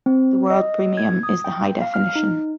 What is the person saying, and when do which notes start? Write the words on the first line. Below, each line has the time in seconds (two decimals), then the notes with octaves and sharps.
The World Premium is the high definition.
0.06 C4
0.50 D#5
0.97 G#6
1.23 D#6
1.44 G5
1.81 F5
1.94 F6
2.15 D#4